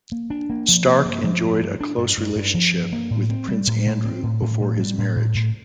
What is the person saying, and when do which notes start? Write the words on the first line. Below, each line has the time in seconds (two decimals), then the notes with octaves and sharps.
Stark enjoyed a close relationship with Prince Andrew before his marriage.
0.12 A#3
0.30 D4
0.50 A#3
0.68 F3
0.87 A#3
1.05 G2
1.24 F3
1.42 G2
1.62 G2
1.81 D4
1.98 G2
2.18 G2
2.36 G2
2.54 F3
2.74 G2
2.93 A#3
3.11 A2
3.30 C4
3.48 G3
3.67 A2
3.86 A2
4.05 C4
4.23 A2
4.42 A2
4.60 A2
4.79 G3
4.98 A2
5.16 A2
5.35 A2